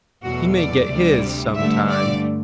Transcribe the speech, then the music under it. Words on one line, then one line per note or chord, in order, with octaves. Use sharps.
"He may get his some time."
E2 B2 F#3 A3 F#4
D5
D2 C3 G3
G2 D3 A3 E5
D5